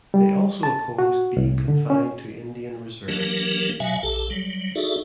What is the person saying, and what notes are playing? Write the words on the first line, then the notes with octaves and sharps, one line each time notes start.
They also opposed being confined to Indian reserves.
G3
A5
F#4
C2
D3
C#4
E3 F#3 A#3 D4 G4 A#4
B2 F#3 E5 F5 G#5
A#1 G4 A4 A5
F#3 G3
D#4 F#4 G#4 A4 D5 E5